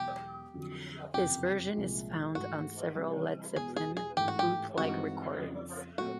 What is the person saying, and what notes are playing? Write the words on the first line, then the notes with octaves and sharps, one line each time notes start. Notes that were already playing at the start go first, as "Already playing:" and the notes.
This version is found on several Led Zeppelin bootleg recordings.
Already playing: E1 E2 B2 F#3 G4
F2 D3 F#3
F#1 F2 C3 G4
C2 A#2 F3 G#3
G#2 E3 A3 F#4
C3 E3 G3
E1 E2 B2 G#4
G#4
G#4
A1 G#2 E3 A3 G4
F#4
G4
G2 E3 G#3 C4 D#4 F#4
F2 C#3 F3
A#2 F#3 A3 C4 F#4